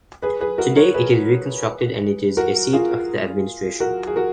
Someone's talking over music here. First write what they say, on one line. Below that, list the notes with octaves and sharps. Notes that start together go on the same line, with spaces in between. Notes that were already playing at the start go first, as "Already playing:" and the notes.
Today, it is reconstructed and it is a seat of the administration.
G#4 B4
G#4 B4
F#4 A#4
A#4 C#5
G#4 B4
F#4 A#4
F4 G#4
F#4 A#4
G#4
F#4 A#4